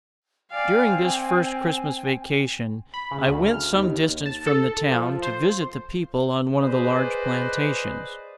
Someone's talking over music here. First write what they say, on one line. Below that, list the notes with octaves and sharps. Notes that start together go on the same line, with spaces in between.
During this first Christmas vacation I went some distance from the town to visit the people on one of the large plantations.
D5 F5 G5 G#5
C4
B5
C#3
D2
F6
D#2
A5
A4
F3
C5
G#4 B4 C5 D5 D#5